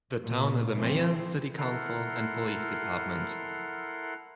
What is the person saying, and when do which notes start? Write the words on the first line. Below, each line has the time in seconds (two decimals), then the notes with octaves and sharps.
The town has a mayor, city council and police department.
0.25 A#2
0.75 E3 F3 C4
1.58 E4 A4 A#4 F#5 C6 F6